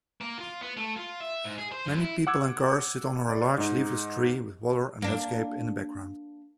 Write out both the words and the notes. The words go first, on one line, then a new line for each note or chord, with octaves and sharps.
Many people and cars sit under a large leafless tree with water and landscape in the background.
A#3
F4
B3
A3
F4
E5
G#2
G#4
C5
F#2
E4
F#5 D6 E6 G#6
D5
G#2 D#4
A#3 D4